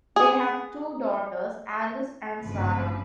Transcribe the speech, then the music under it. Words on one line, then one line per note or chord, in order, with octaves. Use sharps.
They have two daughters, Alice and Sarah.
G#4
G#1 D2 G2 C#3 F3 B4